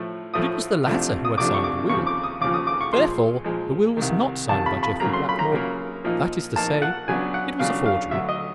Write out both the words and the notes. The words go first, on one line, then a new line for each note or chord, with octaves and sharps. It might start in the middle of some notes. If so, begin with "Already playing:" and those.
But it was the latter who had signed the will. Therefore the will was not signed by Jeffrey Blackmore; that is to say, it was a forgery.
Already playing: A2 F3 A3
A2 F3 A3 D#6
C2 C3 F3 A3 D4
D#6
C2 C3 F3 A3 D4 D6
C#6
D6
D#2 C#3 F3 C#6
D6
D#6
D#2 C#3 F3 D6
D#6
D6
C#6
A#2 F3 G#3 C6
A#2 F3 G#3
C2 C3 D#3
C2 C3 D#3 A5
B5
B5
C#3 F#3 A#3 A#5
C6
B5
A#5
C#3 F#3 A#3
A#2 F3 A#3 D#4
A#2 F3 A#3 D#4 A5
F#5
C#3 F#3 B3 D4 G#5
F#5
C#3 F#3 B3 D4 F5
F5
D2 D3 F#3 E5
D#5